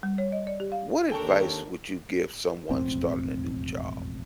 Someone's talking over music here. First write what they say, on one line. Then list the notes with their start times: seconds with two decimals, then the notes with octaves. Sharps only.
What advice would you give someone starting a new job?
0.03 G3
0.18 C#5
0.32 D#5
0.47 D5
0.60 G4
0.72 F5
1.12 D#2 D4 A4 A#4 G5 A5 C#6
2.70 E1 A1 F2 C4